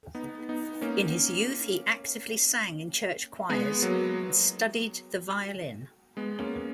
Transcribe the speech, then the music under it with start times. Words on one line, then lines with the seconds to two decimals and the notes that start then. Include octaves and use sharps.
In his youth he actively sang in church choirs and studied the violin.
0.15 B3 D#4
0.49 B3 D#4
0.81 A#3 C#4
3.49 G#3 B3
3.82 F#3 A#3
6.17 G#3 B3
6.39 A#3 C#4